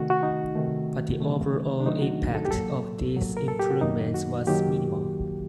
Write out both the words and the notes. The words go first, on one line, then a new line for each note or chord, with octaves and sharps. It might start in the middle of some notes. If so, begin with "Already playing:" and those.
But the overall impact of these improvements was minimal.
Already playing: C3 D#3 A3 F#4
F#4
D#4
C3 D#3 A3
C3 D#3 F#3 A3
D4
C3 D#3 F#3 A3 D#4
F#4
A4
G4
A2 F#3 A#3 A4
A2 F#3 A#3
A#4
A4
G4
F#4
F#2 D#3 F#3 A#3 D#4
F#4
D#3 F#3 A#3 G4